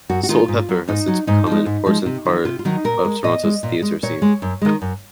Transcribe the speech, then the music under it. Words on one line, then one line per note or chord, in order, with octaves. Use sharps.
Soulpepper has since become an important part of Toronto's theatre scene.
F#2 F#4
F#4
D#3 G#3 F4
G#2
F#3
G#2 D#4
F#3
G#2 D#4
F3
G#3
G#2
F3 G#3
C3
D#3 F#3
C3 F4
F4
D#3 F#3 D#4
A#2 A#4
G#3
A#2 D#5
G#3
A#2
G#3
A#2 C#5
G#3
F#2
D#3 G#3
F#2